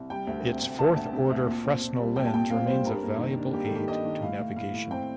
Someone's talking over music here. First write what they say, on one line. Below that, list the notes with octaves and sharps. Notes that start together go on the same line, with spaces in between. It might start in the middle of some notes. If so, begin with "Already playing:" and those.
Its Fourth Order Fresnel lens remains a valuable aid to navigation.
Already playing: C2
G3 G5
D2
C3
D2
D2 A5
D2
C3
D2
A#2
C4
A#2
G3
A#2 G5
A5
A#2 G5
C4 F5
G3 C5
G2 A#4
A#3
D#3
D4
A#3 G4
A4
D#3 G4
D4 D#5
D#3
A2 F5
A2
A2 F5
A2
C4 G5